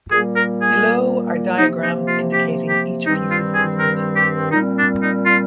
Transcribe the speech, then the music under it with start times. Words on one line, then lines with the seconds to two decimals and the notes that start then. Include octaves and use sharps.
Below are diagrams indicating each piece's movement.
0.11 A#2 G3 A#3 G#4
0.36 A#4
0.61 G#4
1.58 C3 F3 A#3 D#4
1.82 D#4
2.08 F4
2.31 G4
2.68 G4
3.06 G2 D#3 G3 C4 D#4
3.29 F4
3.55 G#4
3.79 A#4
4.15 G4
4.52 A#2 G3 C4 D#4
4.77 D4
5.02 D#4
5.25 F4